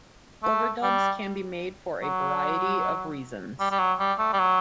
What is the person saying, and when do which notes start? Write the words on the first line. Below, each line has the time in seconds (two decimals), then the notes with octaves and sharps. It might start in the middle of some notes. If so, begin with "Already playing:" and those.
Overdubs can be made for a variety of reasons.
0.43 A3
0.83 G3
2.02 F#3
3.60 G3
3.71 G3
3.79 F#3
3.99 G3
4.19 A3
4.33 G3
4.39 F#3